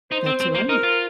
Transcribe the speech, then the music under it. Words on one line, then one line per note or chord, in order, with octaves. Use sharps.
That's right.
D#4 C5
C4
C4
A#3
D#4 A#4
F4